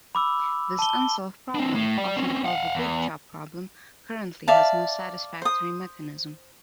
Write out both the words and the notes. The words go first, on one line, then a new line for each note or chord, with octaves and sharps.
This unsolved problem, often called the "big chop" problem, currently has no satisfactory mechanism.
B5 D6 E6
A5 G7
C4 D4
A2
D5 G5
C4 C#4
F5 F#5
E2
D5 E5 F5 A5
C5 D#6